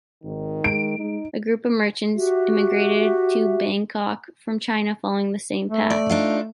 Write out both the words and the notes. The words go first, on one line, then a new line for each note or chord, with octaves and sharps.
A group of merchants emigrated to Bangkok from China following the same path.
G#1 D#3
G#3 D7
G#3 D#4
F#4 G4 E5
A3
D5
D4 D#4 F4